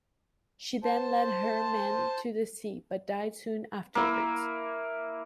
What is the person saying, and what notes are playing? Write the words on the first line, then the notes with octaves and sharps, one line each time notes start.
She then led her men to the sea, but died soon afterwards.
C5 A5
A#3 E4